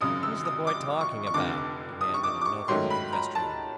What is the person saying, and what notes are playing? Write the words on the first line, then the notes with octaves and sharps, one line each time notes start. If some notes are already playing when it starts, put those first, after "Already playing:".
"What is the boy talking about?" demanded another of the vestrymen.
G#1 F#2 C#3 D#6
E6
D#6
D6
C#6
C#6
F1 F2 D3 D6
D#6
C#6
D6
D6
C#6
G#2 D#3 F#3 A3 C#4 C6
B5
A#5
A5